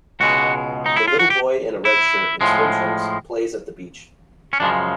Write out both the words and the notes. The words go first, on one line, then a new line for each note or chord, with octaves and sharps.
A little boy in a red shirt and swim trunks plays at the beach.
C#2 B2 G#3 F#4
D#4
E4
F4
F#4
G4
E4
A2 F3 G#3
C#4
F#2 C#3 F3 G#3 D4